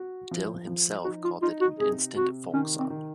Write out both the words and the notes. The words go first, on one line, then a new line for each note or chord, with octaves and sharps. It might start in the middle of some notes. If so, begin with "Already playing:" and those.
Dill himself called it an instant folksong.
Already playing: F#4
F3
F3
D#4 F#4
F4
D#4 F4
F#4
C3 G#4
C3 F#4
D#3 C#4
C4
D#3